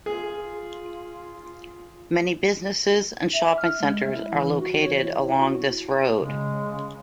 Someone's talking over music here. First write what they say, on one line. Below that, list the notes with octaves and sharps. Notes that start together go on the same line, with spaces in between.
Many businesses and shopping centers are located along this road.
F4 G#4
E5
F6
G#3
E5
E4
E3
F#4
C#5
E4
F#4
C#3 G#3